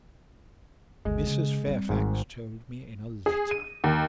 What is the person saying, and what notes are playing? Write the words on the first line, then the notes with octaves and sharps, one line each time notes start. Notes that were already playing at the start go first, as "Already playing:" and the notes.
"Mrs. Fairfax told me in a letter."
G1 D2 G#3
C#3
G3 C4
G#1 G#2
G#4
D#7
D#2